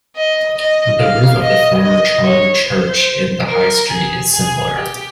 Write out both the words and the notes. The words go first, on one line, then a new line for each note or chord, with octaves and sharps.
The roof of the former Tron Church in the High Street is similar.
D#5
D#5
F5
D#5
D#5
C#5
C5
A#4
G#4
G#4
G4